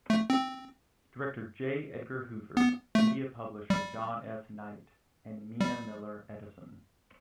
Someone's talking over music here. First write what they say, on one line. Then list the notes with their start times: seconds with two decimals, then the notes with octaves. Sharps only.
Director J. Edgar Hoover, media publisher John S. Knight, and Mina Miller Edison.
0.10 A3
0.30 C4
2.57 B3
2.95 A3
3.70 G3
5.61 G3